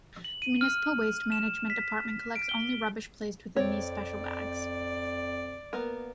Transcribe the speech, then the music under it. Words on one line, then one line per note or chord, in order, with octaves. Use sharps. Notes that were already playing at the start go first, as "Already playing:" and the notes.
The municipal waste management department collects only rubbish placed within these special bags.
F#7
D#7
F6
E7
B6
D7
G7
F2 C4 C#5 D5
A#3 B3 A#4